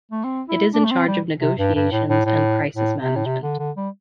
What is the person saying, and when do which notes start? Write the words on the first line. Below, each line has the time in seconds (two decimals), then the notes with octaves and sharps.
It is in charge of negotiations and crisis management.
0.12 A3
0.24 C4
0.49 E4
0.74 D4
0.85 A3
0.91 C4
1.08 G3
1.41 C3
1.59 G2
1.76 G2
1.92 A2
2.09 A2
2.25 A2
2.76 A2
3.01 C3
3.16 A2
3.26 C3
3.43 D3
3.59 D3
3.77 G3